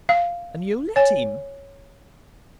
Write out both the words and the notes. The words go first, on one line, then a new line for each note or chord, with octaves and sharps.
"And you let him?"
F5
C#5 G#5